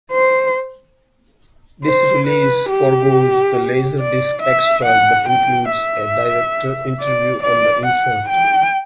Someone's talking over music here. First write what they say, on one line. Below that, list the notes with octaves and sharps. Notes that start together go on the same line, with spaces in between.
This release forgoes the laserdisc extras but includes a director interview on the insert.
C5
C5
B4
G4
D5
E5
F#5
G5
E5
D5
D5
F#5
G5